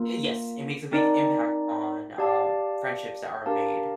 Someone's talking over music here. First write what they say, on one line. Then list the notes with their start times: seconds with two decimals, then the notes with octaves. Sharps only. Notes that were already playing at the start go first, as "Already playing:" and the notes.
eh, yes, it makes a big impact on, um, friendships that are made
Already playing: A#3 F4 A#4
0.92 C4 D#4 A#4 D5 A5
2.18 G4 D5 F5 A5
3.46 D4 G4 A#4 F5 A5